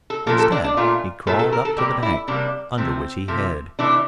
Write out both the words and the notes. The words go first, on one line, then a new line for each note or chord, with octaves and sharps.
Instead he crawled up to the bank, under which he hid.
A4
A#2 F3 A#3 A4
A4
D4
D4
A#2 A3 F4
A#2 A3 A4
A4
A#4
A4
C3 G3 A#3 G4
E4
C3 G3 A#3 D4
C3 F3 A3 C4
C3 F3 A3
C3 E3 A3 D4